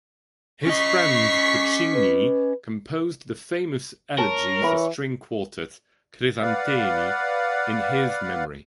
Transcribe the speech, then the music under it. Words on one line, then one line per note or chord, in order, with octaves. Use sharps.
His friend Puccini composed the famous elegy for string quartet "Crisantemi" in his memory.
C#4 D#5 C#6 B6 C7
B4
A#4 C#5 A5
E3 E5 B5
B4 D5 F5 F#5